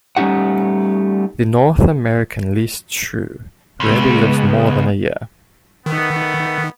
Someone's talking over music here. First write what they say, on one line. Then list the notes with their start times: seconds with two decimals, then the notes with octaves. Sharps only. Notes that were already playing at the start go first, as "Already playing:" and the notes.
The North American least shrew rarely lives more than a year.
0.17 G3 A3 C#4 D#4 G4 F#5
3.80 C#2 G#3 B3
5.86 D#3 A3 B3